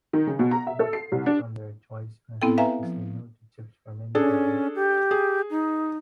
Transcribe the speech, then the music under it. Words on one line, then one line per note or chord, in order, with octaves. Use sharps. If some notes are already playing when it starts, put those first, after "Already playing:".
But from their choice I had to say no to chips for many times.
D#3
C#3
B2
A#5
E5
A4
C7
C2
D4
B3 C4 E4 A4 G5
B4 E5 F5 G#5 A#5
F3
C#4 D4 G#4 A4
G4
G#4
D#4